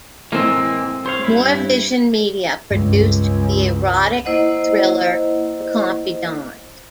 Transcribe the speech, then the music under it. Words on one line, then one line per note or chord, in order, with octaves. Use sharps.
Moore Vision Media produced the erotic thriller "The Confidant".
A2 E3 G#3 A#3 C4
C5 C#5 F5
G2 E4
C#2 G2 G#3
A#3 E4 C5 D#5 F#5